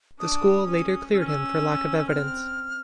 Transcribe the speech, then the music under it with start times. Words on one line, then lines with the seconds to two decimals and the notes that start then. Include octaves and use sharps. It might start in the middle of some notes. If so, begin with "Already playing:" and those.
The school later cleared him for lack of evidence.
0.20 D4 D#6
0.67 C#4
1.14 C#4 E6
1.20 F6
1.27 E6
1.99 E6
2.07 C4 F6